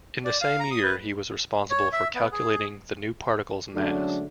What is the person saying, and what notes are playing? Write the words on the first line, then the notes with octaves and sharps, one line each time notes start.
In the same year, he was responsible for calculating the new particle's mass.
D5
F5
A#5
D#6
B4
C#5
E5
B3
G#4
D3 F#3 G#3 A3 C#4 D4